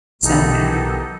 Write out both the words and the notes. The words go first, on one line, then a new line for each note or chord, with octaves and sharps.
so yeah.
B1 D#3 E3 B3 D#4 G4 A4